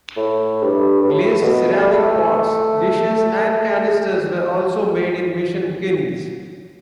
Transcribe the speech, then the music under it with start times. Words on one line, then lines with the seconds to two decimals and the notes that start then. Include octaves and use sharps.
Glazed ceramic pots, dishes, and canisters were also made in mission kilns.
0.17 A2
0.63 G2
1.01 G2
1.10 A2
1.42 B2
1.73 A3
1.81 G3
1.90 A3